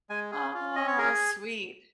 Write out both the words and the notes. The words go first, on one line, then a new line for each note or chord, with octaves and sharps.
aw, sweet.
G#3 G#5
G#4
F4
C#4 D#5
C#5
G#4 A#4